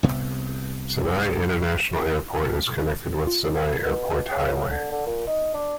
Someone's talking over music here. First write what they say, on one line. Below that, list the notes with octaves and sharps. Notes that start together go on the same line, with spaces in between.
Senai International Airport is connected with Senai Airport Highway.
C2 C3 B3
F4
B2
C#3
C#3
D3
D3
A#2
D#4
D4